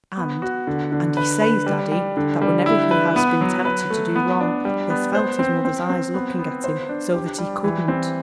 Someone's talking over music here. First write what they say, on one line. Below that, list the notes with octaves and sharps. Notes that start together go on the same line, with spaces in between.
And--and he says, daddy, that whenever he has been tempted to do wrong he has felt his mother's eyes looking at him, so that he couldn't.
B3
F#4
D3
D3
B4
B4
G3
G3
D3
G3
E4
B4
B3
F#3
B4
A3
B3
D4
G3
B3
C5
C4
C4
C4
B3
B3
C5
D4
G4
G3
E3
C4